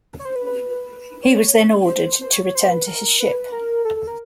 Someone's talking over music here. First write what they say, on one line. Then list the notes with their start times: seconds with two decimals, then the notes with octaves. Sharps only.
He was then ordered to return to his ship.
0.19 C#5
0.25 C5
0.36 B4
0.46 B4
1.23 C#5
1.89 C5
2.21 C5
2.33 C#5
2.44 C#5
2.55 C5
2.70 B4
2.87 A#4
3.20 B4
3.52 A#4
3.85 A4
3.96 A4
4.07 A#4